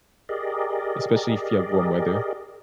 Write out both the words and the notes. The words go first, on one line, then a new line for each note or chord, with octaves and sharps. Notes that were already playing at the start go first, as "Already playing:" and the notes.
especially if you have warm weather,
G4 G#4 A#4 D5 D#5